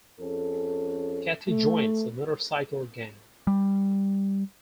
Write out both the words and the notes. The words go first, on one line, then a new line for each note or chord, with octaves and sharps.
Cathy joins a motorcycle gang.
F2 C#4 G#4 A4
A3
G3